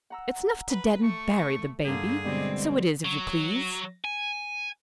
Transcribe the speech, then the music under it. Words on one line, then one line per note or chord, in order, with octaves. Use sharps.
"It's enough to dead and bury the Baby, so it is if you please."
F#5 A#5 E6
B4
A3 C#6
G2 D3 A#3 G#4
B2 D3 G3 G#3 C4
F#3
G#5